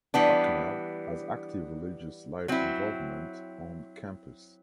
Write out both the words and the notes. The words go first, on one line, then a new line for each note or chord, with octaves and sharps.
Bucknell has active religious life involvement on campus.
E3 G3 B3 D4
F#3 C4 E4